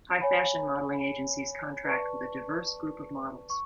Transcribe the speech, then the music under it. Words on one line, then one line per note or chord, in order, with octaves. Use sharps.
High fashion modeling agencies contract with a diverse group of models.
C#5 G#5 B5
B4 D5 A5 C#6
C#6